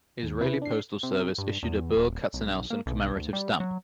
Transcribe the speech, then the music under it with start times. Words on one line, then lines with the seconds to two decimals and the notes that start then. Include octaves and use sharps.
Israeli Postal Service issued a Berl Katzenelson commemorative stamp.
0.23 D#2
0.41 C3 E4 B4
0.62 D4 C7
1.03 C3
1.38 G2
1.63 E2
1.96 D#1
2.33 B1
2.70 A#3
2.86 B1
3.16 D2
3.33 G3
3.60 F#3